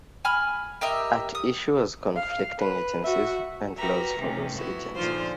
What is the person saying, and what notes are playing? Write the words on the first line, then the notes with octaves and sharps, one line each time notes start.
At issue was conflicting agencies and laws for those agencies.
G#5 B5 F6
G4 A#4 D#5 E5
D#6
F5
B4
F#4 E5
F#4 G4 A#4 B4 E5 A#5
C3 D#3 A3 C#4
F2 B3 E4 F#4
A#2 D3 F3 D#4 F4 C5